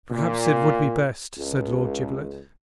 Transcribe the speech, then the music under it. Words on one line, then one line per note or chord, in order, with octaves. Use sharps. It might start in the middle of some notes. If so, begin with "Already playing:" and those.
"Perhaps it would be best," said Lord Giblet.
A#2
C#2